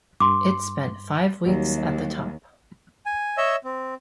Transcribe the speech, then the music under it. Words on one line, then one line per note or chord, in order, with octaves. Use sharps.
It spent five weeks at the top.
G2 C6 D6
D#2 F#3 G3
G#5
C#5 D#5 E5 E6
C4